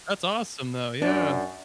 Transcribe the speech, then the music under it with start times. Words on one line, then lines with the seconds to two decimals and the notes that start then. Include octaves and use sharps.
That's awesome, though. Yeah.
1.02 F#2 D4